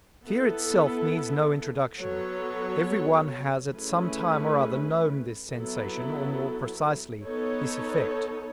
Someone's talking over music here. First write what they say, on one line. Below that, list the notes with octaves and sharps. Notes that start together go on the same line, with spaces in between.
Fear itself needs no introduction; everyone has at some time or other known this sensation or, more precisely, this effect.
B3 E4 A4
F#3 B3 F#4 A4 C#5
A3 C#4 E4 G#4 B4
F#3 B3 E4 A4
B3 D#4 A4 C#5